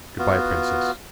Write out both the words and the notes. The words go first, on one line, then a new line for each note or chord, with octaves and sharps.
Good-bye, Princess.
B3 F4 F#4